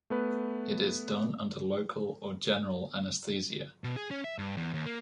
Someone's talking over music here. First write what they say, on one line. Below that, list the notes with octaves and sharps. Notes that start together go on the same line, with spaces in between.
It is done under local or general anesthesia.
A3 B3 B4
B2
G#4
C#4
E5
G2
E2
D#2
A#3